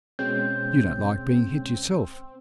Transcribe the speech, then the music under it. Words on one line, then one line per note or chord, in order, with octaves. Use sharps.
You don't like being hit yourself.
B2 G#3 C4 C#4 G6